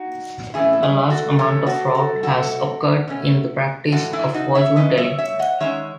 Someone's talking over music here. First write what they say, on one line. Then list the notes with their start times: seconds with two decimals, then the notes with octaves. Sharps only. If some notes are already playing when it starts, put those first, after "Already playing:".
A large amount of fraud has occurred in the practice of fortune-telling.
Already playing: D#4 F#4
0.54 A2 E3 A3 C#4 E4 G#4
0.73 A4
0.83 E4 G#4
1.10 F#4 A4
1.39 A2 E3 A3 C#4 A4 C#5
1.67 F#4 A4
1.95 F#4 A4
2.23 B2 A3 C#4 F#4 A4
3.08 B2 A3 C#4
3.92 A2 E3 G#3 C#4 F#4 A4
4.13 E4 G#4
4.34 D#4 F#4
4.55 C#5 E5
4.76 A2 E3 G#3 C#4 B4 D#5
4.97 C#5 E5
5.18 C#5 E5
5.39 D#5 F#5
5.60 D#3 G#3 C#4 C#5 E5